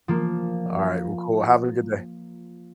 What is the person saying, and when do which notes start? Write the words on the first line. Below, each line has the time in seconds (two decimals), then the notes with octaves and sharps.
All right, well, cool. Have a good day.
0.08 F3 A#3